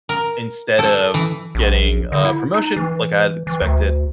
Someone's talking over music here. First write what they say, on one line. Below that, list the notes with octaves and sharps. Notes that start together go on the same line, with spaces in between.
instead of getting a promotion like I had expected,
A#4
A4
E3
A#1
D3
E4
D#4
E3
E3
D2